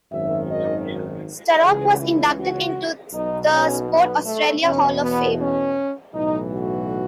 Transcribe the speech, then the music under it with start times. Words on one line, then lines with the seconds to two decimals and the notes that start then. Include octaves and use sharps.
Sturrock was inducted into the Sport Australia Hall of Fame.
0.11 G#1 F#2 D#3 E5
0.49 D#5
1.62 C#2 C#3 E3 G#4
1.99 E4
2.38 F#4
3.12 B1 B2 D#4
3.51 C#4
3.89 B3
4.26 A3
4.63 E2 B2 C#4
5.02 B3
5.39 C#4
6.14 B1 A2 E3 D#4
6.52 F#4